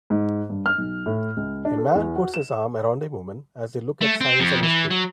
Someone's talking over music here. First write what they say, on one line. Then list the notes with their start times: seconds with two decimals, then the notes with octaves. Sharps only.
A man puts his arm around a woman as they look at signs on the street.
0.10 G#2
0.49 G2
0.66 F6
0.78 B1
1.06 A2
1.37 C#2
1.65 D4
1.78 A4
1.95 E2
2.16 F#4
2.34 E7
4.01 A3
4.21 C4
4.40 F2
4.63 E3
4.91 F#3